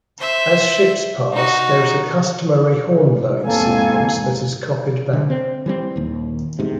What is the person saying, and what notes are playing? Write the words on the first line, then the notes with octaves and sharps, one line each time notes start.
As ships pass, there is a customary horn-blowing sequence that is copied back.
C5 E5
D#4 F#4
E2 G#2 A#3 C4 A4 F5 G#5
D3
C4
E3 G3 C4
D#1 D#2
E2 G#2 C3